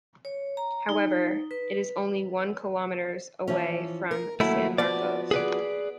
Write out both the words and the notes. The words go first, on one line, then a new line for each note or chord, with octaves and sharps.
However, it is only one kilometers away from San Marcos.
C#5
A#5
D#4
B4
E3 F3 C#4
A#4
D#2 F#3 A3 E4 F#4
F3 B3 F#4 D5
G#4 B4 D5